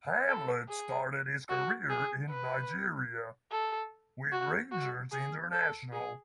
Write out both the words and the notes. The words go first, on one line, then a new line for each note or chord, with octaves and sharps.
Hamlet started his career in Nigeria with Rangers International.
A4
G#4
F#4
G#4
B4
A4
F#4
F#4
G#4
A4
G#4